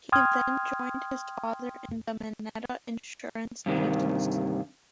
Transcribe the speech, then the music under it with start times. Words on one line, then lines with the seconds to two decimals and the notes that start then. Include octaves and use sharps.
He then joined his father in the Mineta Insurance Agency.
0.12 G5 C6 D#6 F6 G#6
3.66 G2 C3 D#3